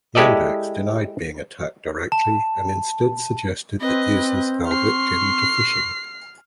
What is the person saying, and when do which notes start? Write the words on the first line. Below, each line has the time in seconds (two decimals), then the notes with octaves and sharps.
Yandex denied being attacked directly and instead suggested that users fell victim to phishing.
0.15 G#3 E4 G4 A4 D5 D#5
2.12 A5
3.81 C4 B4 D#5
4.67 C6 C#6 F6 C7